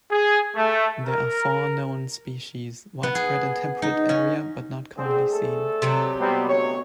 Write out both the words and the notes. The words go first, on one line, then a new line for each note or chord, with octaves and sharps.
There are four known species, widespread in temperate area but not commonly seen.
G#4
A3
A#4
B3
G#4
D#4
C#4
D3 C4 G#4 C5 D5
A3 A4
C3 F#3 G4
B2 G3 B3 C4
D2 C#5